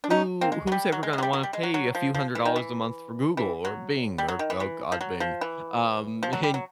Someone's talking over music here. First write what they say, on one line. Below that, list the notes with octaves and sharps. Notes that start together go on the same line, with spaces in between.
who who's ever gonna wanna pay a few hundred dollars a month for Google or Bing or oh, god, Bing, um, in
D4
C#4 D#4
A#3 C4
G#3
F#3
G3
F#3
G#3
G#3
F#3
G3
F#3
G3
G#3
F#3
F#3
F3
F3
E3
D#3
E3
E3
F#3
G3
F#3
D#3
E3
E3
F3
F#3
F3
E3
F3
F#3
G3
F#3